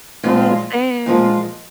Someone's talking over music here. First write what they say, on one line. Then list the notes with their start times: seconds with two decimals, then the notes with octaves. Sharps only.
Uh, same.
0.23 A#2 F3 G#3 F4
1.06 A#2 F3 G#3 F4